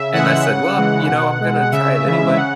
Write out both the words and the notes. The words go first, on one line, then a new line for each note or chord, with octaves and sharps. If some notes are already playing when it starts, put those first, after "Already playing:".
and I said, "Well, you know, I'm gonna try it anyway."
Already playing: C#3 E5
E3 G#3 F#5
C#3
E3 G#3
B2
G#3
F#5
C#3 E5
E3 G#3
C#3 F#5